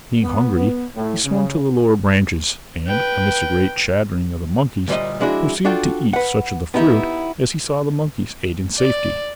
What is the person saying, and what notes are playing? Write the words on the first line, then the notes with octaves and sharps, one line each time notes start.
Being hungry he swung to the lower branches and, amidst a great chattering of the monkeys, proceeded to eat such of the fruit as he saw the monkeys ate in safety.
B3
B3
A2
C#3
B4 G5
D2 A#2 G3 C5 D#5
F3 G#3 D4 E4 F#4
D4 F4 F#4 A4 G5
B4 F#5
B3 D#4 E4 G4
D5